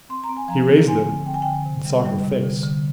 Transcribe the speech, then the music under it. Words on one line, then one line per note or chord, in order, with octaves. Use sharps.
He raised them, and saw her face.
C4 C6
A#5
C4
G#5
F3 A#5
D3
C4 G#5
D3
C4 G5
G#5
D3 G5
C3
G3
G3
C3
D3
D3